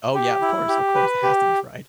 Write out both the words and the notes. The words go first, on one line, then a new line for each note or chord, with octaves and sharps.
Oh, yeah. Of course, of course, it has to be fried.
G4
E4
G4
B4
G4